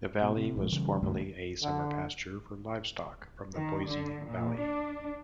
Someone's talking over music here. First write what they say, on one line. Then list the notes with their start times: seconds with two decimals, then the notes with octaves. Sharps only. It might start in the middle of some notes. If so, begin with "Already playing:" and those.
The valley was formerly a summer pasture for livestock from the Boise Valley.
0.22 B2
0.37 C3
0.56 A#1 A2 F3 G#3
0.72 C#3 E3 G3 C#4
1.03 C#2 G2 D#3 A3
1.61 D3
3.56 D#3
3.87 D3
4.27 A#2
4.59 D4